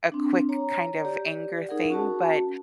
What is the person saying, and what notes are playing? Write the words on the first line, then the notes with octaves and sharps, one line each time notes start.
a quick kind of anger thing, but
C4 D4
C#5 A#5
G4 D5
D#4 G#4 A#4 F#5
C#4 F#4 A5